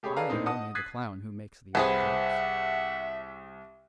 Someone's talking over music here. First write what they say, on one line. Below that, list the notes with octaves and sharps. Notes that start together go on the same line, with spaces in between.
"I am only the clown who makes the old jokes."
A3 G4 G#4 C#5 B5
G#4 A4 B4 D5 F5 A#5
A2 A#3 C4 D4 D#4
D#5 F#5 A5 D#6
D#6 F#6 G#6 A6 B6 C7
C2 C4 G#4 B4 E5 F#5